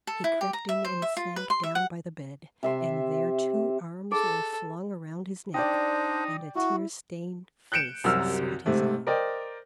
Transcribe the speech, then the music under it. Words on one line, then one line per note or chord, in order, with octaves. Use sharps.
He crept in and sank down by the bed, and there two arms were flung around his neck, and a tear-stained face sought his own.
A4
E4
G4
A#5
E5
C5
E5
F4
B4
C6
E5
F#5
C3 E5 C6
G#4 A4
D4 D#4 C5 D5 G5
E4 F#4
F#6 G6 C#7 D7 E7
C2 F#2 C3 F#3 E6 F6
G#2 C3 A3
A#4 C5 D5 D#5 G5